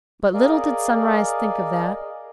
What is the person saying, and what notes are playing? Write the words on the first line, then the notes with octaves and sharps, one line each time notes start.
But little did Sunrise think of that.
G#4 A#4 D5 D#5 F5